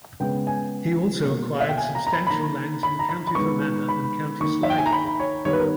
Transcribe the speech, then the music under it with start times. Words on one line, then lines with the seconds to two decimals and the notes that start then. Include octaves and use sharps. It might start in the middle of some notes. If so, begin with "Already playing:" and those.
He also acquired substantial lands in County Fermanagh and County Sligo.
0.20 C#3 G#3 B3 G5
0.47 G#5
1.25 B2 A#3
1.61 E5
1.69 G5
1.77 G#5
1.95 A#5
2.07 A#5
2.13 B5
2.27 B5
2.30 D#3 A#3 A#5
2.83 B5
2.99 A#5
3.09 B5
3.27 B5
3.35 D#3 G#3 B3 C#6
3.89 B5
4.40 D#3 A#3 C#6
4.63 E5
4.70 G5
4.78 G#5
4.86 A#5
4.93 B5
5.20 C#5
5.45 D#3 G3 B3 C#5
5.53 B4
5.60 A#4